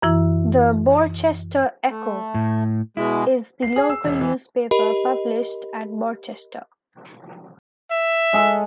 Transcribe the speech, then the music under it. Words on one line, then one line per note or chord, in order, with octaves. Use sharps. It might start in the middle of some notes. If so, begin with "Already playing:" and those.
"The Borchester Echo" is the local newspaper published at Borchester.
F#2 E3 E4
A3
A2
B2 G#3 E4
C7
G#4
E6
E1
E3
G4 A#4 D#5 B5
E5
G#3 G#4 A4